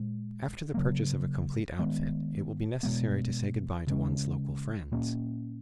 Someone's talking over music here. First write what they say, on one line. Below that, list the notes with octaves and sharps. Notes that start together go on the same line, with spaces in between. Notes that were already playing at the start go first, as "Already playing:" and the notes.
After the purchase of a complete outfit, it will be necessary to say goodbye to one's local friends.
Already playing: A#2 G#3
C#3 F#3 A#3
D#3 G#3 B3
B2 G#3 B3
C#3 G#3 C#4
A#2 A#3 C#4